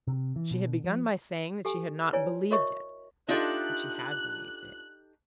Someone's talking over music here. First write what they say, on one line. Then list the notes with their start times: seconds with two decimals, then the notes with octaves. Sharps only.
She had begun by saying that she had not believed it;--but she had believed it.
0.07 C3
0.36 E3
0.51 B2
0.84 F3
1.65 G4 A4 G#5
2.13 E4 B4 C#5 D5 G#5
2.51 F#4 A#4 C#5 D#5 E5 C#6
3.28 D4 D#4 F4 G4 A4 E5 F#6